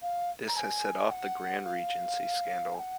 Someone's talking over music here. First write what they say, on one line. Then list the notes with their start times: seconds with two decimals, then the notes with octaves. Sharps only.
This has set off the Grand Regency Scandal.
0.02 F5
0.48 A#5
0.57 G#5
1.11 F#5
1.65 F5
2.75 G#5
2.79 F#5